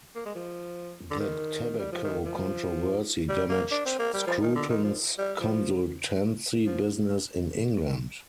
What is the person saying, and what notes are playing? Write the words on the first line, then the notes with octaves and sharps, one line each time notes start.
The tobacco controversy damaged Scruton's consultancy business in England.
A#3
G#3
F3
D3
D#3
G3
F3
D#3
F3
G3
A#3
D4
C4
A#3
G3
F3
D#3
D3
D#3
F3
G3
F3
F3